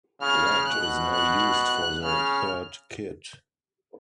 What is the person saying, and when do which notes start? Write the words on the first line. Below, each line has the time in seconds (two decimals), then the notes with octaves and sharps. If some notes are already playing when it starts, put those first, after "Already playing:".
Red is now used for the third kit.
0.22 C#3 F6
0.67 B2 F#6
1.13 F#6
2.03 C#3 F6